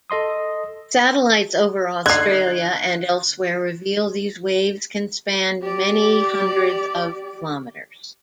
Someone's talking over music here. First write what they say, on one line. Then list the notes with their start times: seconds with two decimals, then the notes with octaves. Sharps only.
Satellites over Australia and elsewhere reveal these waves can span many hundreds of kilometers.
0.10 A4 D#5 C6 D#6
2.06 D3 D#4 F#6 G#6 C7
5.61 G4 D5